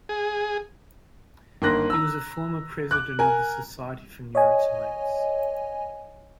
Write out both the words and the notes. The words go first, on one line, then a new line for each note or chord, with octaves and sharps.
He was a former president of the Society for Neuroscience.
G#4
G1 D#3 A#3 C6 F#6 A#6
A#5 E6
D6 F#6
A#4 G#5
C#5 D#5 G#5